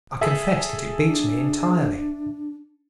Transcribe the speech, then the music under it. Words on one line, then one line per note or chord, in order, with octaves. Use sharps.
I confess that it beats me entirely.
G#4 A4 E5 B6
D4